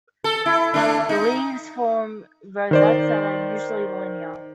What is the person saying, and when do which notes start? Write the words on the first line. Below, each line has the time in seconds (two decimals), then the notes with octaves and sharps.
The leaves form rosettes and are usually linear.
0.24 A4
0.46 E4
0.74 A3 D4
1.09 D#4
2.71 D#3 C5 D5